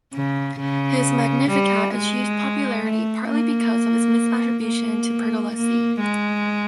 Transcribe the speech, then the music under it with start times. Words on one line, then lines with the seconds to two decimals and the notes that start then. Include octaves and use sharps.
His "Magnificat" achieved popularity partly because of its misattribution to Pergolesi.
0.14 C#3
0.60 C#3
1.50 G3
1.95 G#3
2.85 A3
3.30 A#3
4.66 A#3
5.56 A#3
6.00 G#3